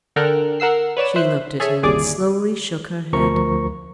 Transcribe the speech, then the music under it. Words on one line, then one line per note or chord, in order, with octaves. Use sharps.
She looked at him, and slowly shook her head.
D3 A4 A#4 G5 F6 F#6
A#4 F#5 E6 C7
B4 C#5 D5 E7
C5 E5 F#6
G#4 A4 C#5 E5
G1 D#2 G#4 D5 D6
D2 F3 A#4 A#5 C#6